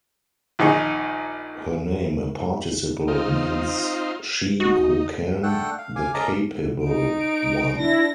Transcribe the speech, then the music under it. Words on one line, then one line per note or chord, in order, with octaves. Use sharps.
Her name, a participle, means she who can, the capable one.
A#1 D#3 D#4 G#4 C#6
C4 D#4 F4
D#4 F#4
A3 D4 A4 F#5 G5 F#6
F5
F5 G#5 D6
C#4 A#4 D#5 A5 A#5 D6
D#4 D7
D4 E4 A#6